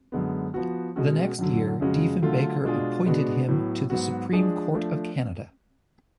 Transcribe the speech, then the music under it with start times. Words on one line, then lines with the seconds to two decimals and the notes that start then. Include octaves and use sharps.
The next year, Diefenbaker appointed him to the Supreme Court of Canada.
0.12 F#2 D3 G#3 B3
0.54 F3 B3 F#4
0.96 B2 G#3 C#4 F#4
1.39 F#2 D3 F#3
1.80 F2 C#3 G#3 C#4 F#4
2.22 D3 F#3 A3 F4
2.64 B2 G#3 D4 F4 G#4
3.06 B2 G#3 B3 D4 F#4
3.48 A2 F#3 B3
3.90 G#2 F#3 B3 F#4
4.33 F3 G#3 D4 G#4
4.74 F3 A3 D4